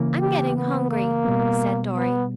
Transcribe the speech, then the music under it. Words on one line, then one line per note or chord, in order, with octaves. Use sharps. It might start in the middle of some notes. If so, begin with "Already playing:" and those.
"I'm getting hungry," said Dorry.
Already playing: C#3 E3 A#3
G4
B3
A#3
B2 G3 B3
B3